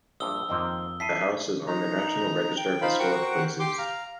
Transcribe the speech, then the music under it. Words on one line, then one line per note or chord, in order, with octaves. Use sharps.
The house is on the National Register of Historic Places.
A#1 G2 D#6 E6 G7
F2 D#3 A#3 C4 D#5
E4 A5 B6 C7 D#7
D#4 A#5
G5
D#4 F4 C5 F5 B5
F#4 A#4 C5 F#5 G5 C#6
G4 C6 D6
F5 A#5